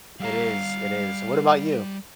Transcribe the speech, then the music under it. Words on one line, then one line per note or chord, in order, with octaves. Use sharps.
It is, it is. What about you?
G3 F5 A#5